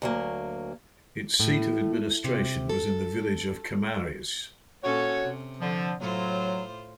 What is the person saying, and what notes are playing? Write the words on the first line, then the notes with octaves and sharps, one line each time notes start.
Its seat of administration was in the village of Kamares.
D2 F#3 A#3
A2
C3
A4
A#2 C#4 F#4 A4 C#5
C3
D3 F3
A2 F#3 F4 C5